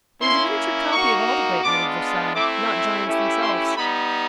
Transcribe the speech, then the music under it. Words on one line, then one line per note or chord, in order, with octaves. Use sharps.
It was a miniature copy of all the great men of Versailles, not giants themselves.
A#3 C#4 E4 C6
A#3 D#4 F#4 C#6
G#3 B3 D4 F4 D6
A3 C4 E4 D6
A3 C#4 E4 G4
C6
G3 B3 D#4 B5